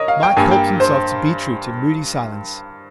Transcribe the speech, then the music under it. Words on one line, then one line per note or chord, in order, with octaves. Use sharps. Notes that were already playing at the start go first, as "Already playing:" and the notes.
Mike helped himself to beetroot in moody silence.
Already playing: A#4 C#5 D#5
F5
G5
G2 G3 A#3 G#5
G5
C5